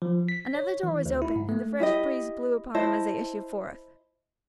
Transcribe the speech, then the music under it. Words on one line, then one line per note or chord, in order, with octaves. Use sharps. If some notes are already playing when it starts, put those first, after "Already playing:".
Another door was opened, and the fresh breeze blew upon them as they issued forth.
F3
B6
C#5
E3
D2
E4
G#2
A3
E4 G4 D#5
E4 C5 D#5 A5